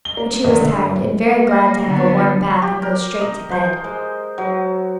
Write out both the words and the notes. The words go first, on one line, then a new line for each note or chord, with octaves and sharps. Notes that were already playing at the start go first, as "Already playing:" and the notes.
But she was tired and very glad to have a warm bath and go straight to bed.
G7
A#3
E2
D3
A#3
D3 B3
G4
A#4
D#5
C5
G#3
F#3